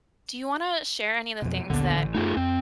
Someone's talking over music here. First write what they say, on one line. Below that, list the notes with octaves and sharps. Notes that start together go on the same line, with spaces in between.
Do you wanna share any of the things that
F2 B2
A#1 D#2 D3 B3
A1
F#2 A3 D#4 F4 G#4
F2 C4